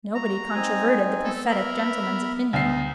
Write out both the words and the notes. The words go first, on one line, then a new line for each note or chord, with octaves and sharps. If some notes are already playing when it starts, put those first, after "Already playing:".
Nobody controverted the prophetic gentleman's opinion.
F#4 A#5
C4 D#4 G#5
B3 A4
A#4 E5 B5
D2 D#4 A5 C7